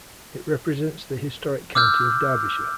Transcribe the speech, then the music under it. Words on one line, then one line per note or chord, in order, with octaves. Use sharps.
It represents the historic county of Derbyshire.
D6 E6 F6 G6